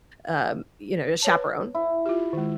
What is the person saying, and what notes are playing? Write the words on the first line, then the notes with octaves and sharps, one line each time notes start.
um, you know, a chaperone.
B4 C#5 A5
E4
F4 G4
D#3 G#3